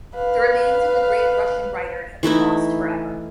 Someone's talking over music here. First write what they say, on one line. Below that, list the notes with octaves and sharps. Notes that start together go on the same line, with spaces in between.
The remains of the great Russian writer have been lost forever.
B4 F5
E3 A3 D#4 E4